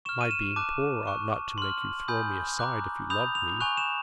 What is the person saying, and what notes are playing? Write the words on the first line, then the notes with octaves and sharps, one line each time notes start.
My being poor ought not to make you throw me aside if you loved me.
C#6 F6 E7
D#7
E7
A5 D6 F#6
C#6 F#6
C6 F6 F#7
G#5 B5 D#6 G6
A#5 D6 F#6
B5 D#6 G6 F7
F7
G#5 C#6 F#6 F7
E7